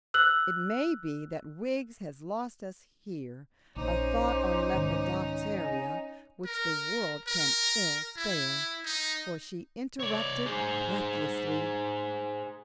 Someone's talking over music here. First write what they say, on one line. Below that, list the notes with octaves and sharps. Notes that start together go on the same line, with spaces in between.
It may be that Wiggs has lost us here a thought on lepidoptera which the world can ill spare; for she interrupted breathlessly.
E6 F#6 F#7
A#1 C#4 D#4 C5 A#5 D6
C2 G#2 D#3
D#5 G#5
A#4
A#4
E4
D#4
C#5 D5
G#4 C5